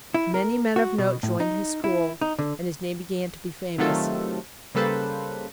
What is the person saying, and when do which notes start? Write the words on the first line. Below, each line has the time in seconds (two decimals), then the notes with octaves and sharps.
Many men of note joined his school, and his name began to be famous.
0.14 E4
0.34 A#4
0.76 F#4
0.98 B2
1.23 A2
1.40 D#4
1.84 E4
2.21 D#4
2.39 D3
3.78 C3 D#3 F#3 A3 F4 A4
4.75 C#3 G3 A#3 A4 B4 C5